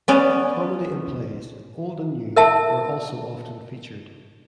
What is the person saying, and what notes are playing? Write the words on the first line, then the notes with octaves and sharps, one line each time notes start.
Comedy and plays-old and new-were also often featured.
B3 C#4 D5
A#4 E5 A5